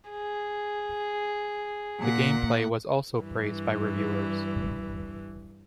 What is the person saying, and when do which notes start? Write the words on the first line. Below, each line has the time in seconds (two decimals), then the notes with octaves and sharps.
The gameplay was also praised by reviewers.
0.10 G#4
2.01 A#2 F#5
3.20 G2 E3